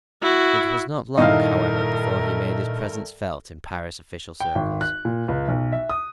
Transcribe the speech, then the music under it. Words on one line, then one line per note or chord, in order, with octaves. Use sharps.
It was not long, however, before he made his presence felt in Paris official circles.
E4 F#4
G2 A#2 D#3 A3 D#4 E4 A#4 F5
G5
G#1
F#6
A#2
C#2
B1
E5
D#6